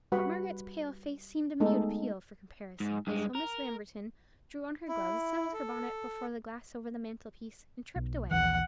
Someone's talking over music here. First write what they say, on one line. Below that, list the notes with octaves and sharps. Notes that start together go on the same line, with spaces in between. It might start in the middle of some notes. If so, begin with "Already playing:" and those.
But Margaret's pale face seemed a mute appeal for compassion; so Miss Lamberton drew on her gloves, settled her bonnet before the glass over the mantel-piece, and tripped away.
G3 F#4 B4 F#5 B5
G#3 A3 B3 D#4 G#4 A4
G#2
G2 G#3
A#4
E4
A4
B1
A#1 D#2 E3 F#5